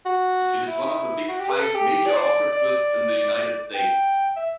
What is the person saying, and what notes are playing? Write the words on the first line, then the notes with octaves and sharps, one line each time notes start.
It is one of the "Big Five" major orchestras in the United States.
F#4
E4
F#4
G4
B4
A4
G4
G4
D5
C5
D5
D5
G5
E5